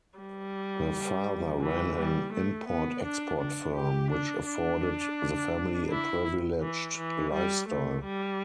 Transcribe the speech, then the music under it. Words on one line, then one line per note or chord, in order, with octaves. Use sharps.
Her father ran an import-export firm, which afforded the family a privileged lifestyle.
G3
E3
G3
A3
B3
D4
D4
G4
D4
D4
E4
E3
E3
G3
A3
G3